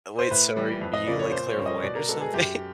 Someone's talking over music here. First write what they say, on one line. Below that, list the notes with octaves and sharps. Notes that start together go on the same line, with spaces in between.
Wait, so are you, like, clairvoyant or something?
C5
A2 B4
E3 G3
F2
D#5
C#3 F3 A#3 D5
C#5
A#2 C5
C#5
G3 A#3 C#4
D#5
B2 D5
A#4
G#3 B3 A4
G#4
F#2 G4